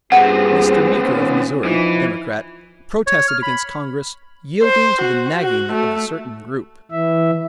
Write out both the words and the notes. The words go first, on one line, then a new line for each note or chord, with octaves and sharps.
Mr. Meeker of Missouri, Democrat, protested against Congress "yielding to the nagging of a certain group."
G2 B3 C4 F4 G#4 F#5
D#3 C#4 F4
E3 F3 D#4
C#5
F6
B5
C5
F#4
F#4
A3
E3 E5